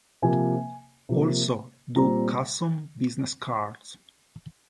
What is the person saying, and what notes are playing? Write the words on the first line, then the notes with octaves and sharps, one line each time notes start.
Also do custom business cards.
C3 F3 A#3 G#5
C3 F3 A#3
A#2 G3 C4 A#5